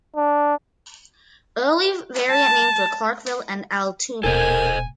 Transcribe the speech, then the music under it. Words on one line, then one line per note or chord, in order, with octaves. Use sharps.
Early variant names were Clarkville and Altoona.
D4
A5
D#1 B2 A4 A#4 C5 D#5 G#5